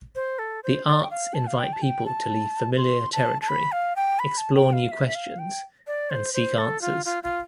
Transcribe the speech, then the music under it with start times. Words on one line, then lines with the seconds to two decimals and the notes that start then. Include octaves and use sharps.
The arts invite people to leave familiar territory, explore new questions, and seek answers.
0.16 C5
0.39 A4
0.64 C5
0.87 D5
1.03 G5
1.11 F5
1.34 A5
1.47 F5
1.58 G5
1.73 A5
1.82 G5
2.06 A5
2.77 C6
3.13 A5
3.42 A5
3.48 B5
3.72 F5
3.96 G5
4.19 B5
4.38 A5
4.55 G5
4.73 F5
4.92 E5
5.07 E5
5.15 F5
5.39 G5
5.87 D5
6.10 C5
6.34 C5
6.58 A4
6.81 F4
7.05 F4
7.23 F4